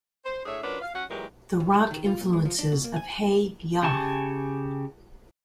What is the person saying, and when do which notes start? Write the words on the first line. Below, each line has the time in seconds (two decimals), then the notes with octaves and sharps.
The rock influences of Hey Ya!
0.25 C5
0.45 A2 D4 G#4 C#5 E5
0.62 F#3 C#4 D4 F4 A#4 B4
0.82 F5
0.94 F#3 C#4 F#5
1.09 A#2 E3 F#3 G#3 G4 A#4
1.60 F#2
1.74 G#3
1.91 D#3
2.06 F4
2.20 A#2
2.33 G#3
2.45 F3
2.59 D4
2.72 B2
2.84 A#3
2.96 G#5
3.83 C#3 G4 G#5 A5 C#6